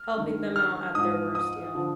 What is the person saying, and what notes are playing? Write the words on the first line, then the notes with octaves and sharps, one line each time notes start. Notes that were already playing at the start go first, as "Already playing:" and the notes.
Helping them out at their worst, yeah.
Already playing: F6
G2 D#3
F6
G#2 F3 D#6
D#6
D3 F3